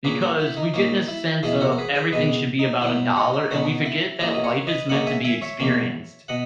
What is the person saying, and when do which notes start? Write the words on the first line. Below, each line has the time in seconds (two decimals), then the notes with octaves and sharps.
because we get in a sense of everything should be about a dollar, and we forget that life is meant to be experienced.
0.04 A#2 A#3 C#4 G#4 B4
0.21 F#4 A#4
0.40 E4
0.57 D#4
0.74 A#2 A#3 C#4 D#4
1.08 E4
1.43 E2 B2 G#3 E4 G#4
1.61 F#4 A#4
1.72 A#4
1.78 G#4 B4
1.95 G#4 B4
2.12 E2 B2 G#3 B4 D#5
2.59 D#4
2.81 B2 F#3 B3 E4
3.16 D#4 F#4
3.34 D#4
3.51 B2 F#3 B3 D#4 F#4
3.85 E4
4.20 G#2 F#3 A#3 C#4 E4 G#4
4.34 D#5
4.44 A#4 C#5
4.67 B4 D#5
4.89 G#2 F#3 A#3 C#4 D#5 F#5
5.07 E5 G#5
5.24 E5 G#5
5.42 C#5 E5
5.60 E2 B2 A#3 C#4
6.28 B2 D#5 F#5